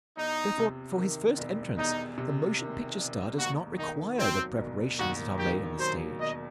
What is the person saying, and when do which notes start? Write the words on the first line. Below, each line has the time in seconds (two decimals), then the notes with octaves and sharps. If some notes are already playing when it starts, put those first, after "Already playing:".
Therefore, for his first entrance the motion picture star does not require the preparations that are made on the stage.
0.17 E2 D#4
0.58 C3
0.97 D#3
1.38 E1
1.78 E2 D#4
2.18 C3
2.58 D#3
2.98 E1
3.38 D#2 F#4
3.79 D#3 D#4
4.18 F#3 C4
4.58 E1
4.99 D#2 F#4
5.39 D#3 G4
5.79 F#3 C5
6.19 E1 D#5